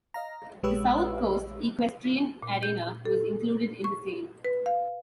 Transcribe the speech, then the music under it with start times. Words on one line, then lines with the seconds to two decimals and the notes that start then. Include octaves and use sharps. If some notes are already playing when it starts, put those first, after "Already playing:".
The South Coast Equestrian Arena was included in the sale.
0.14 D#5 F5 A#5
0.63 A#1 G#3 G4 B4 C#5 E6
2.42 A#2
2.63 G6
3.05 A4
3.84 C#6
4.44 B4
4.66 F5